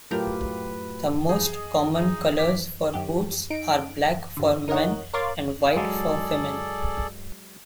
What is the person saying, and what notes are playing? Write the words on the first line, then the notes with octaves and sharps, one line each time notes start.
The most common colors for boots are black for men and white for women.
A2 F#3 A3 F4 G4 A#4 B4 G5
D#4 G#4
D#5
D#4 G#4 D#6
D6 B6
F#2 G4
D#4 D7
G1 D3
D#4 A#4 C#5 D#5 F#5
A#4 C#5 F5 C6 D6 A6
F#3 G#3 G#4 A4 D5